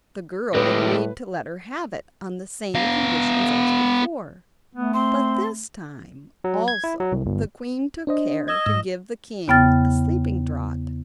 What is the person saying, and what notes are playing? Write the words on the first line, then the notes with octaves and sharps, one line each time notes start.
The girl agreed to let her have it on the same conditions as before; but this time, also, the queen took care to give the king a sleeping draught.
A2 G3 G#3 C4 B4
B3 F5
A3 B3
C4 C6
F#3
G#6
E4
F#3
C2
G1
D4 C5 D#5
D#5 E6 G#6
G#2 E6
E2 C#3 B3 G5 F6 A6